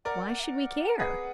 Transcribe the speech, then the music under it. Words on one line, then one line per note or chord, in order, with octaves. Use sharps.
Why should we care?
A#4 D5 F#5
G#5
F#5
E5
F#5
G#4 B4